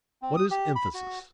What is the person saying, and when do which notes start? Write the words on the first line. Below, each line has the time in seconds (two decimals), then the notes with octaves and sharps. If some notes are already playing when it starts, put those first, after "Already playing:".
What is emphasis?
0.22 C4
0.36 D#6
0.51 G4
0.76 B5
0.94 F#4